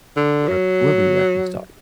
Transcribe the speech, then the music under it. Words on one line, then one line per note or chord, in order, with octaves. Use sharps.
or whoever you referenced, sorry.
D3
F#3